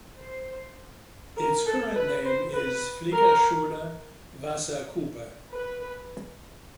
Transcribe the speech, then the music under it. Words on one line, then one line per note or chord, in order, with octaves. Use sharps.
Its current name is "Fliegerschule Wasserkuppe".
C5
A#4
A4
B4
C5
B4
A#4
B4